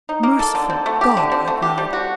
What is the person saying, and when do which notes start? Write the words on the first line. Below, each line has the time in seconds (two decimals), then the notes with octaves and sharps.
"Merciful God!" I cried.
0.09 D#4
0.23 A#3
0.39 A4
0.55 D3
0.70 C4
0.86 A3
1.01 G4
1.17 D3
1.32 C4
1.48 A3
1.62 G4
1.78 G3
1.93 F#4